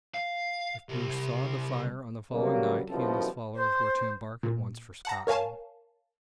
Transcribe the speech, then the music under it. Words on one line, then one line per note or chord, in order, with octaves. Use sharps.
If Bruce saw the fire on the following night he and his followers were to embark at once for Scotland.
F5
C2
G2 C#3 F#3 G3 A#3
C2 F#2 B2 F3 C4 A4
C5
A#2
F#5 A5 A#5
A#4 C#5 F5 G#5 A5